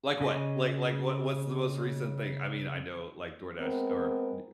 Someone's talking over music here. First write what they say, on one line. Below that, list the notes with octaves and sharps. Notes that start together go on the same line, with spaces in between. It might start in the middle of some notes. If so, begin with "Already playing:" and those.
Like what? Like like, what what's the most recent thing? I mean, I know, like, DoorDash or, y
C#3 D#5
G#3 B3 C4 A#4